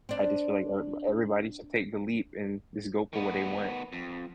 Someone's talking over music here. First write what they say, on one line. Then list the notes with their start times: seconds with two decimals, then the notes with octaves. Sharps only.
I just feel, like, er everybody should take the leap and just go for what they want."
0.09 C4 D4
3.13 D#3 B3
3.93 F2